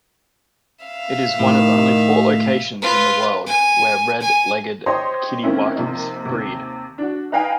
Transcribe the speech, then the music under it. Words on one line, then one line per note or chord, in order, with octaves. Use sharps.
It is one of only four locations in the world where red-legged kittiwakes breed.
E5 F5
A2 D#3
F4 B4
G#5
G#5
G4 C5 C#5 D#5 C6 D#6
D#3 A#3 C4 C#4 E4 F4
C3 F3 A#3 C4 D#4
D#2 C3
D4 F#4
D#4 B4 D#5 F5 G5 G#5